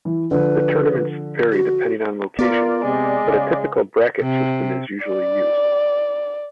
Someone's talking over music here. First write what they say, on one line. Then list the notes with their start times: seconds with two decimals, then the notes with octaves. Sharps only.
The tournaments vary depending on location, but a typical bracket system is usually used.
0.05 E3
0.31 D3 F3 B4
1.52 F#4
2.39 B3 F4 A#4 D5
2.83 C3 G#3
3.25 C#3
4.22 C3
5.05 D5